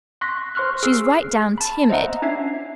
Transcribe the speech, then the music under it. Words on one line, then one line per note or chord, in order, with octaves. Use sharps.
She's right down timid.
C6 C#6 F#6 A#6 B6
C5 C6 C#6 F6 F#6
G#4 E6 F6 C7
A5 B5
C5 D#5 E5 F#5 A#5
C#4 D4 E5 G#6 C7